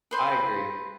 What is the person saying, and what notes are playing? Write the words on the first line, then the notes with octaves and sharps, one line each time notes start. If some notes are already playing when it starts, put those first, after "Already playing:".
I agree.
B4 C5 C6